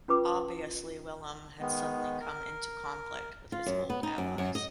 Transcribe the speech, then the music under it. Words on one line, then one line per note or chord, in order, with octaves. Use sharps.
Obviously Willem had suddenly come into conflict with his old allies.
C#4 F4 B4 D6
D#3 G#3 B3
A#4
F4
F#2
B3
D#4
F#2
F#2
D#5